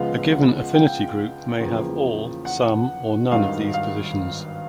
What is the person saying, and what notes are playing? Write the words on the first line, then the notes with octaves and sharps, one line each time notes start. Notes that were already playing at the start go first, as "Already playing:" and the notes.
A given Affinity group may have all, some or none of these positions.
Already playing: C#2 C#3 F3 G#3 B3 F5
F#5
G5
E2 C#3 F3 A#3
F#5
G#1 G2 D#3 F5
F5